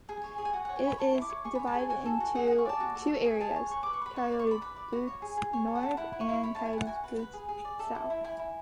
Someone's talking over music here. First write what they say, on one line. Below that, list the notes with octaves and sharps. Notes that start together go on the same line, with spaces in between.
It is divided into two areas: Coyote Buttes North and Coyote Buttes South.
G#4 G#5
C#5
G#4
G#5
F#4 F#5
C#5 F#5
G#5
C#5 B5
A4 C#6
E4
D6
C#5
G#4 C#6
C#5 B5
A5
G#4 G#5
F#4 G#5
A4
F#4
G#4 F#5
G#4 F#5
C#6
D5 A5
F#4
A4
F#4
G#4 G#5
G#4 A5
C#5
B4 C#6
B4 D6
C#6
B4 B5
D5 C#6
D5
C#6
D5 B5
B4 B5
D5
F#4
C#5
G#4
G#4
C#5 G#5
A4
F#5
A4
E4 F#5
E4
C#6
E4
C#5 B5
E4 A5
G#5
E4 F#5
F#4 G#5
F#5
B4
B4
G#4
G#4
D5
A4 E5
E4
E4
E4 G#5
E4